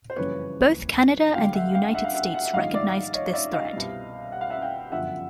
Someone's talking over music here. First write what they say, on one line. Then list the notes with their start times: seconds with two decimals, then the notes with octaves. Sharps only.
Both Canada and the United States recognized this threat.
0.10 C5
0.16 F#1 F2 C#3 E3 G3 B4 C#5
1.35 D2 D3 G3 F5 G5
1.55 E5 F#5
1.75 F5 G5
1.94 E5 F#5
2.04 F5
2.15 E5 F#5
2.34 E5 F#5
2.45 E5
2.54 A#1 G#2 D#3 G3 D#5 F5
2.74 D5 E5
3.14 C#5 D#5
3.33 D5 E5
3.53 D#5 F5
3.73 C2 B2 G3
4.32 F#5
4.41 F5
4.50 E5 F#5
4.62 F5 G5
4.92 G1 F#2 D3 F3 E5 F#5